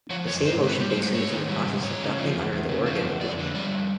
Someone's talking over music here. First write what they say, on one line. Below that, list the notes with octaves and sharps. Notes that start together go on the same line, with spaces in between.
The same ocean basin is in the process of subducting under the orogenic wedge.
F3 C#5
F2 C#5
G#2 C5
D#3
B4
G3
C5
G#2
G#2 C#5
D#3
G3
G#2
E2 C#5
C#3
F3
E2
E2
C#3
F3
E2
F2 D5
D3
G3 D5
F2